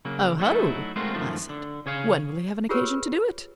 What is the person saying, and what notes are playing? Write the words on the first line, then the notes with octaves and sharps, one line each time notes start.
"Oho!" I said, "when will he have occasion to do it?"
C#3 F#3 A#3
F#3 A3 D#4 E4
G#3 A3 C4 F4 F#4 A#4
F#2 D#3 F3 A3 F4
D3
C#3 G#4 C#5 F5
F4 G4 G#4 A#4 B4 C#5